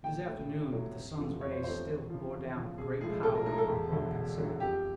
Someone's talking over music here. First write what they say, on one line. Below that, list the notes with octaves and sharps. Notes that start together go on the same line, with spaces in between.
It is afternoon, but the sun's rays still pour down with great power upon rock and sand.
A#1 G5
A2 F#3 A3
A#1
A2 F#3 A3
F1
E2 C3 F3 A3
F1 C#5
C5
E2 C3 F3 A3 C5
E2
C#3 F3
E2
C#3 F3
B1 G#4
A2 F3 G#3 G#4
B1 A4
A#4
A2 F3 G#3 A#4
A4
E1
D2 D3 F#3
E1
D2 D3 F#3
F2 G4